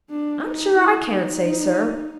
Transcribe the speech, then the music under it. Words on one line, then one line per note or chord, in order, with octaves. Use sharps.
'I'm sure I can't say, sir.
D4
D#4
E4
D#4